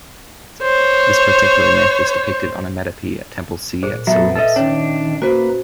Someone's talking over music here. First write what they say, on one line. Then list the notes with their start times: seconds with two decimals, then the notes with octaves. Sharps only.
This particular myth is depicted on a metope at Temple C at Selinus.
0.63 C5 C#5
3.83 A#2 G#4 C5
4.07 F#3 B3 A4 E5
4.35 A4 B4 D#5 E5
4.56 D#3 C#4 D4 C#5
5.22 A#3 F#4 B4 C5